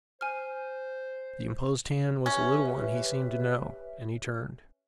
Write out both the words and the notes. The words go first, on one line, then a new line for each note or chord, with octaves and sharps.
The imposed hand was a little one he seemed to know, and he turned.
C5 G#5 F6
C#4 G4 B4 E5